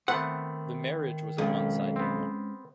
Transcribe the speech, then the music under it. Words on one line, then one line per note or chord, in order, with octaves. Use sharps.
The marriage was a one-sided one.
D#3 A3 B3 C4 F#5
B1 F2 G#3 C#4
B3 C4